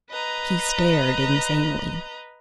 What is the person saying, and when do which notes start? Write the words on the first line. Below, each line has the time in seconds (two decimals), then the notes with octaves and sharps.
He stared insanely.
0.10 B4 D#5 A#5